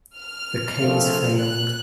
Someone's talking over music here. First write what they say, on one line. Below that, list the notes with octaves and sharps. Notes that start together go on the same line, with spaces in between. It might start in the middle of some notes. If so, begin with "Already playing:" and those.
The case failed.
F6
A#1 A#2 F3 A3 C4
F#6